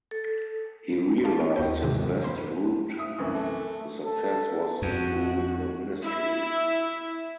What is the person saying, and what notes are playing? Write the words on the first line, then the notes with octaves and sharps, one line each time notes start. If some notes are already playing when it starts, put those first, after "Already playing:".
He realized his best route to success was through the ministry.
A4
B3 F4 A5
D#2 F#4 B4 G5
G#2 C3 D#3 E3
F#2
A#3 C5 B5
B3
E5 D#6
C2 F#2 E3
A3
A4
F2 F#4
E4 E5